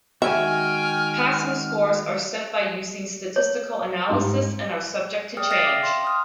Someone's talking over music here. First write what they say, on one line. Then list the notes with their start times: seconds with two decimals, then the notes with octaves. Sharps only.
Passing scores are set by using statistical analysis and are subject to change.
0.22 D#3 G#3 F#4 E5 G5 G#5 F6
3.36 C#5
4.09 G#2 G3 C6
5.37 G#4 D5 G5 D#6 F6
5.50 E5 G5 F6 A6 A#6 C7
5.63 F5 G5 D6
5.83 C6
6.04 D#6 F6